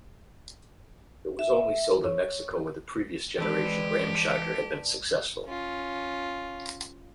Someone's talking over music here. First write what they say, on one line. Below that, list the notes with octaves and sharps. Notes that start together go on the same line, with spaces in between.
It was only sold in Mexico, where the previous generation Ramcharger had been successful.
E5
C#5
E3 G#3 C4 D4 G4 B4
C#4 F4